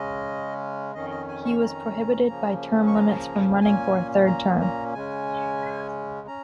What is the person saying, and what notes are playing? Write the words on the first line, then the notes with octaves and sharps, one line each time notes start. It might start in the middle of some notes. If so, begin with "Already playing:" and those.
He was prohibited by term limits from running for a third term.
Already playing: C#3 G#3 C#4 D#5
F2 D#3 C#4 D#5
D#5
G#5
C#6
A#5
C#3 F3 A#3 C#4
C#6
A#5
A#2 A#3 C#4 G#5
A#5
A#5
C#3 G#3 C#4 G#5
C#4 A#5